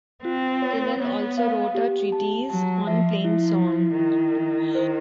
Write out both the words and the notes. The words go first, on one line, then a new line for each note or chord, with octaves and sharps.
Tinel also wrote a treatise on plain-song.
C4 F4
C#5
B3 C#5
F5
G4
A5
F#3 A5
F3 E5
F3 E4
E4
D#3 E4
E4
C5